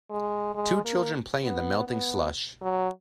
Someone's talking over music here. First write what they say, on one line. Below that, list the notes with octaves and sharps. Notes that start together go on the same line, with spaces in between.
Two children play in the melting slush.
G#3
G#3
A#3
B3
B3
F#3